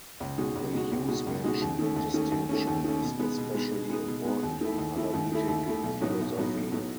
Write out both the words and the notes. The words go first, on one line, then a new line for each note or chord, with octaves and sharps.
The use-mention distinction is especially important in analytic philosophy.
C#2
B2 G#3 D#4 F#4
C#2
B2 G#3 D#4 F#4
C#2
B2 G#3 D#4 F#4
C#2
B2 G#3 D#4 F#4
D#2
D#3 A3 C#4
D#2
D#3 A3 C#4
D#2
D#3 A3 C#4
D#2
D#3 A3 C#4
B2
G#3 B3 D#4
B2
G#3 B3 D#4
B2
G#3 B3 D#4
B2
G#3 B3 D#4
D#2
D#3 A3 E4
D#2
D#3 A3 E4
D#2
D#3 A3 E4
D#2
D#3 A3 E4
B1
A2 F#3 B3 D#4
B1
A2 F#3 B3 D#4
B1
A2 F#3 B3 D#4